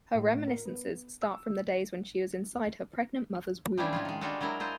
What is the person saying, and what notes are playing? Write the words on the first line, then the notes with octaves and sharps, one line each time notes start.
Her remniscences start from the days when she was inside her pregnant mother's womb.
A2
A2
A#4
B3
E6
F3 G3 A3 C#4 D4 E4
A2 G#3 F4
D#3 G#3
G3 G#3 D4 F4 F#4 A4
F#3 G#3 D4 E4 A#4
E4 F4 C5 D#5